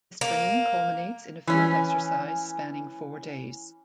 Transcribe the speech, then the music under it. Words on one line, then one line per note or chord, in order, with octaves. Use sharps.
This training culminates in a field exercise spanning four days.
A#3
E3 C#4